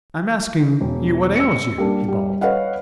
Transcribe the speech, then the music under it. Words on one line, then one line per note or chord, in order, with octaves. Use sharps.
"I'm asking you what ails you?" he bawled.
E1
E6 C#7
G3 A#3 D4
G3
B4 C#5 D#5 F5 F#5